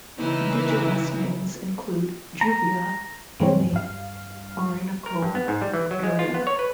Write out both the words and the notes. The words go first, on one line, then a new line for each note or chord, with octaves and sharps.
Indigenous names include "juvia" in the Orinoco area.
C#3 E3 D#4 E4
A#5
G2 C3 E3 G#3 C4 C#4
G2 F5
A#4
G2
B3
G#2
G3
E3
F#3
G#3
F4
B3
C#5
B4